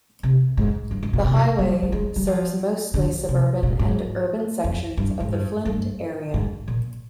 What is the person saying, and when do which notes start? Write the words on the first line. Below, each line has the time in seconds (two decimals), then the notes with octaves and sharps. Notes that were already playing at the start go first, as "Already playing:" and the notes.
The highway serves mostly suburban and urban sections of the Flint area.
0.23 C3
0.57 G#2
0.91 G2
1.03 G#2
1.13 A#2
1.25 C3
1.59 G3
1.83 G3
1.92 G#3
2.16 G3
2.27 F3
2.94 D3
3.29 C3
3.63 A#2
3.79 G#2
4.64 F2
4.97 G2
5.20 G#2
5.32 G2
5.65 G2
6.34 G#2
6.68 A#2